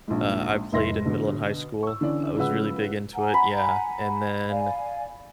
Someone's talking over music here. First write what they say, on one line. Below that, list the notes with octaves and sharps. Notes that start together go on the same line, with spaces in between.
Uh, I played in middle and high school, I was really big into it, yeah, and then,
A#1 G#2
F1 G#2 E5 C6 A#6
B2 D3
C#6 E6
D3 E3 C#4 D5
C#3 F3 G#3 B4 F#5 E6
F#5 G#5 A#5
B5
D5 F5 G#5